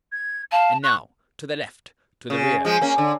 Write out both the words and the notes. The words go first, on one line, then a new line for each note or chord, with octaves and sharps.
And now--to the left! to the rear!
G#6
F5 A5
C#6 F#6
C#3
F3 G#3
A#3 C#4
D3